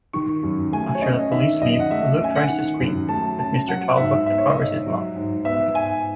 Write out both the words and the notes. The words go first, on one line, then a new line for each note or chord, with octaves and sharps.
After the police leave, Luke tries to scream, but Mr. Talbot covers his mouth.
D#3 C#6
F#2
A3 G#5
C#5
C#4 D#5
D#3 E5
F#2 D#5
F#5
A3 E5
C#4 G#5
F#5
D#3
F#2
A3 A5
C#4 A5
F#3 F#5
G#2 E5
B3 E5
C#5
D#5
G#2 E5
F#3
G#2
B3 E5
G#2 G#5